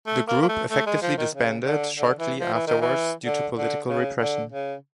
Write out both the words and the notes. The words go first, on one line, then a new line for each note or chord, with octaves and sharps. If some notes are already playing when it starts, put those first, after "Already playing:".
The group effectively disbanded shortly afterward due to political repression.
A3
A#3
A#3
A3
A3
G#3
F3
D#3
C#3
D3
D3
E3
F3
E3
D#3
E3
D3
D3
C#3
D3
C#3